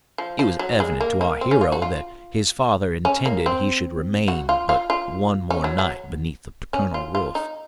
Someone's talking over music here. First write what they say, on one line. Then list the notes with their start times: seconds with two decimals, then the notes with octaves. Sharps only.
It was evident to our hero that his father intended he should remain but one more night beneath the paternal roof.
0.18 F3
0.39 F3
0.59 F#3
0.80 G#3
1.01 A#3
1.21 A#3
1.41 C4
1.51 C#4
1.61 F4
1.72 F#4
1.82 F4
3.05 C#4
3.26 A#3
3.46 C4
4.28 F#4
4.49 F4
4.69 F4
4.90 F4
5.50 C#4
5.64 F#3
5.79 F#3
6.73 C#4
6.94 F4
7.15 F4
7.35 D#4